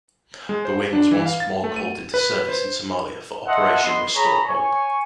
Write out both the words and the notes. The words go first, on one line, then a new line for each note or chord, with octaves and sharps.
The wing was once more called into service in Somalia for Operation Restore Hope.
G#3
C5
D4
E3
F5
A6
A3
D#7
B4
C5
D#5 E5 F#5 A5 C6
B3 D#5 C6
G#4 C#5 A#5 B5 C#6
C#5 G#5 C#6